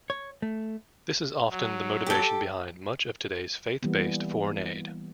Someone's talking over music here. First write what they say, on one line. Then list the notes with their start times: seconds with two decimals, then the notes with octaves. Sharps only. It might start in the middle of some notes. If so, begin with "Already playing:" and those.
This is often the motivation behind much of today's faith-based foreign aid.
0.10 C#5
0.42 A3
1.51 F#3
2.06 G4 A4
3.83 E3 G3 A#3 B3